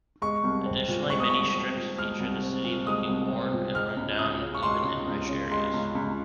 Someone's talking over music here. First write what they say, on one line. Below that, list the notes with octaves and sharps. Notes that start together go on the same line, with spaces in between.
Additionally many strips feature the city looking worn and run-down even in "rich" areas.
G#3 C#6
C2
C4
A#2
G#3 C#6
D#6
C2 C#6
C4
A#2
G#3 F6
C2
C4
A#2
G#3 D#6
C2
C4
A#2
G#3 F6
C#2
C#2 D#6
C#3
C#6
G#3 C6
C#2
C#2
C#3
G#3 C6
C#2
C#2